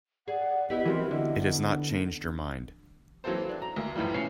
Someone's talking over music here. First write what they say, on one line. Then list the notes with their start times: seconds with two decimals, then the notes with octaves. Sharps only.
It has not changed your mind.
0.28 G#4 D5 F#5
0.70 B3 E4 G4 B4 D#5
0.86 E3 G3 C4 F#4 A#4
1.11 D3 B3 D#5
1.45 D4
3.24 E3 F#3 A#3 C4 A4 C5
3.49 D4
3.62 A#5
3.76 D2 A#3
3.96 F#2 A2 E3 F3 G3
4.14 B1 E3 C#4 C7 C#7